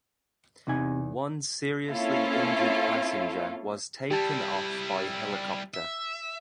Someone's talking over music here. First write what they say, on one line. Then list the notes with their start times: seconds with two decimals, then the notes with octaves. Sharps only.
One seriously injured passenger was taken off by helicopter.
0.67 E2 C3 D#4 G#5
1.89 A#3 C4 C#4 E4 F4 A4
4.11 G3 E4 G4 A5
5.74 E5